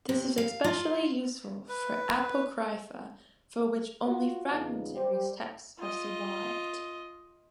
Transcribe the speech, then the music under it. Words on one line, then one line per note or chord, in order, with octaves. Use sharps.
This is especially useful for apocrypha for which only fragmentary texts have survived.
C3
F5
F4
B4
F4 F#4
E2 C#3 B3 D#4 F4
G3 G4 C5
F4 D#5